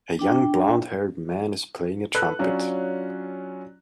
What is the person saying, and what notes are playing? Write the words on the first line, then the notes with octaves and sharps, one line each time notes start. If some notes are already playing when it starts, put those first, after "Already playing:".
A young blondhaired man is playing a trumpet.
D4 G5
A4 B4 F#6
F#3 C#4 D4 F4